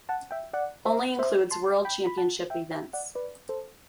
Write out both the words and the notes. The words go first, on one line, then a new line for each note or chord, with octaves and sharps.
Only includes World Championship events.
F#5 A5
E5 G5
D5 F#5
C5 E5
C5 E5
A5 C6
G5 B5
B5
F#5 A5
E5 G5
E5 G5
D5 F#5
B4 D5
A4 C5